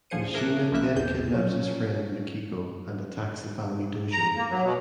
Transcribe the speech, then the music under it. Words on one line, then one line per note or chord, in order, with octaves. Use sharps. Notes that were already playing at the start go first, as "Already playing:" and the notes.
Mishima then kidnaps his friend Mikiko and attacks the family dojo.
D2 F3 G#4 C5 C#7 D#7
G#4 A#4 E5 A5 D6 F#6
C2 F3 G3 A#3 E5 F#6
A1 E2 G#4 G6
F3 F#3 C#4
A#5
A#3
F#3
B2